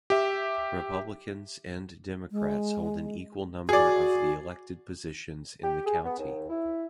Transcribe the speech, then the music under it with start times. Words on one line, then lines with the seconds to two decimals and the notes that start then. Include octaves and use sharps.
Republicans and Democrats hold an equal number of the elected positions in the county.
0.10 G4 E5
2.32 G#3
3.69 F#4 G#4 D5
5.64 G4
5.87 G#4
6.05 B3
6.19 D#2
6.50 E4